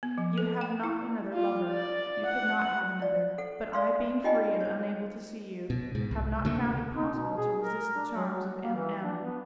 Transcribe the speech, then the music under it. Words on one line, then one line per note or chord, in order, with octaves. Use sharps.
You have not another lover; you could not have another; but I being free and unable to see you, have not found it possible to resist the charms of M---- M----.
B3
F3
A4
G5
E4
F4
D5
F#5
D5
A4 F#5
D5 F5 C6
D#4 F4 G4 D#5 G5 G#5
C5 C#5
B2
G#2
C2
D2 C3 A3 A#3
D#4
B2
G#4
A#4
D4
F#3
F#4
A#3
E3
D4
B3